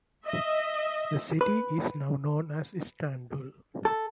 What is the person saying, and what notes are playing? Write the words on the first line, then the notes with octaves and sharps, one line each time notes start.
The city is now known as Istanbul.
D#5 E5
B4
A4